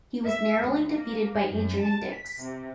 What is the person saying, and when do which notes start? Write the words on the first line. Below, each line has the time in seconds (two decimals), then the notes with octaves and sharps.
He was narrowly defeated by Adrian Dix.
0.25 E5
0.63 D2
0.95 A#3
1.50 F#2
1.82 A5
2.13 B6
2.42 C3